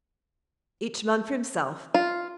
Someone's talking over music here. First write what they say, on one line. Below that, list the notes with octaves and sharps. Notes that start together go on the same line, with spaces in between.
Each man for himself.
F4